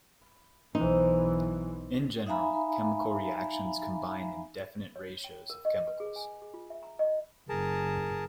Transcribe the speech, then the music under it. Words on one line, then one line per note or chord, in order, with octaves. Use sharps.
In general, chemical reactions combine in definite ratios of chemicals.
B1 E3 D#4 C5
D#4 E5 F5 G#5 A#5 B5
C#5
G5
A#4
D#5
B4
G#4
G#5
G#4
F4
E5
A#5
D#5
F#1 G#4 A#4 A5